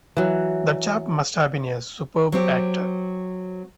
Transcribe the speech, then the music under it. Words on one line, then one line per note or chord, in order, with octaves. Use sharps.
That chap must have been a superb actor.
E3 F#3
F#3 C4 G4